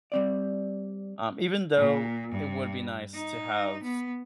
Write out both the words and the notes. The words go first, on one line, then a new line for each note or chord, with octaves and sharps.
um, even though it would be nice to have
G3 C4 D5
A#2
G2
D#4
B3